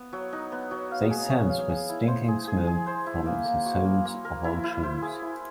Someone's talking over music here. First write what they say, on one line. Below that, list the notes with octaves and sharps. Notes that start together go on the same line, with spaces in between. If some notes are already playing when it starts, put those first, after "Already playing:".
They cense with stinking smoke from the soles of old shoes.
Already playing: B3
F#3
D#4
B3
F#3
F5
G#4
C#5
F5
G#4
E4
C5
G#4
G#4
G#4
C5
E4
A#3
A#3
F#4
A#3
A#3
A#4
E4
E4
C5
G#4
E4